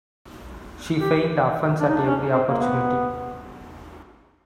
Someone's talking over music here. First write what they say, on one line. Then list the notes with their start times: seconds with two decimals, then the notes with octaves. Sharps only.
She feigned offense at every opportunity.
0.99 G4
1.80 D4
1.89 D#4
1.97 D4
2.06 C#4
2.33 C4
2.49 A#3
2.60 B3